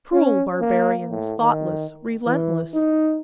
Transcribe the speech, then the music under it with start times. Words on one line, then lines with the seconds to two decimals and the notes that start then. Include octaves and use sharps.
Cruel barbarians, thoughtless, relentless!
0.13 C#4
0.61 A#3
1.10 A2
1.39 D#3
2.27 E3
2.74 D#4